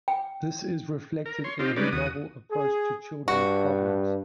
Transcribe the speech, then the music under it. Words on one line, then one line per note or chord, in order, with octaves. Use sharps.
This is reflected in her novel approach to children's problems.
G5
A#4
C#5 C6
C4 D#4 F4 G4
G3 G#3 C#4 D#4 B4 D5
D#2 F#4 D#6
G#4
G2 F#4